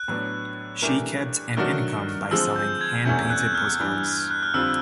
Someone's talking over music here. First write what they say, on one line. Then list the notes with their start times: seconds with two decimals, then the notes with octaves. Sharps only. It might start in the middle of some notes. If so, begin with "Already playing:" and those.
She kept an income by selling hand-painted postcards.
Already playing: F#6
0.08 A2 F#3 B3 D4
0.82 E3 A3 D4 G4 A#4
1.57 D#3 F#3 A3 D4 F#4 F6
2.31 D3 F3 G#3 C4 E6
2.56 G6
2.81 G#6
3.05 E2 C3 E3 A3 C#4 G6
3.30 F#6
3.38 G6
3.45 F#6
3.55 F6
3.79 G2 E3 G3
4.31 F#6
4.43 F6
4.54 F2 D3 G3 C4 F4 E6